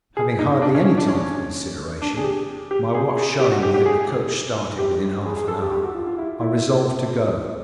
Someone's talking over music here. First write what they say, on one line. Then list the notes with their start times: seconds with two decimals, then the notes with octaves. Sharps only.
Having hardly any time for consideration,--my watch showing me that the coach started within half an hour,--I resolved to go.
0.17 G#4
0.39 D#4
0.62 D4
0.74 C#4
0.85 C#4
0.98 D4
1.08 C#4
2.02 D4
2.17 G#4
2.24 G4
2.71 G4
2.94 G#4
3.17 G#4
3.40 G4
3.52 F#4
3.63 G4
3.74 G4
3.86 G#4
4.79 G4
5.26 G#4
5.37 G#4
5.48 A4
5.60 G4
5.71 G4
5.84 F#4
5.94 F4
6.07 F4
6.18 E4
6.41 E4